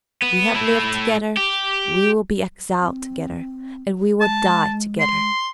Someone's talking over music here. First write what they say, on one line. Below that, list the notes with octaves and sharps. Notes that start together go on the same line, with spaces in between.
We have lived together, we will be exiled together, and we will die together.
B3
A3 E4
G4
C4
G#3 A5
C6